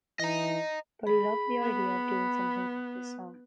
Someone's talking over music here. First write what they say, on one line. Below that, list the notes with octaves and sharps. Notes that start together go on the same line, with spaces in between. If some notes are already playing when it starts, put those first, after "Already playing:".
But he loved the idea of doing something with this song.
E3 D#5 A#5
G#4 B5
B3